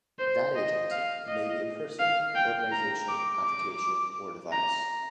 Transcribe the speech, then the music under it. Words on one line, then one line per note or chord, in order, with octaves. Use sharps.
That agent may be a person, organisation, application, or device.
C5
D#5
F5
D#5
F5
G5
A#5
D6
D6
A#5